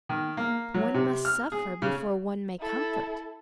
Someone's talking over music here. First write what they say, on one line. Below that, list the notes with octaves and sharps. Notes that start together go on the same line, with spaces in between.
One must suffer before one may comfort.
D#3
A#3
F#3
C3
F6
G#4
C#3
E4 A4